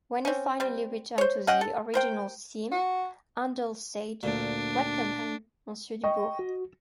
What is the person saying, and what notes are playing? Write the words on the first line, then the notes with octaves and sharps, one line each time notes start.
When he finally returned to the original theme, Handel said: "Welcome home, Monsieur Dubourg".
C4 C#4
G3 C4
C5 C#5
C#4 D#5 F#5 G5
A4
A#4 C5 G5
F#4
D2 A#2 D4
D#5 G5 C#6
F#4